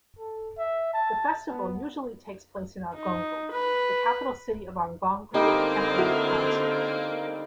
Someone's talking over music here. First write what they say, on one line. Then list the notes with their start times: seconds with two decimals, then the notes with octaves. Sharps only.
The festival usually takes place in Argungu, the capital city of Argungu Emirate Council.
0.18 A4
0.58 E5
0.93 A5
1.50 B3
2.95 D#4
3.52 B4
5.34 D3 G3 A#3 C4 D#4 G4
5.98 E4 F#4